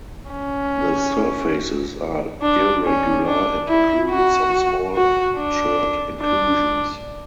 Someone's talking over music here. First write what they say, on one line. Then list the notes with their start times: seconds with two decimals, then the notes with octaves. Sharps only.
The surfaces are irregular and included some small chert inclusions.
0.31 C#4
2.42 D4
2.85 C#4
3.26 D4
3.68 E4
4.11 F#4
4.95 F#4
5.37 D4
6.21 D4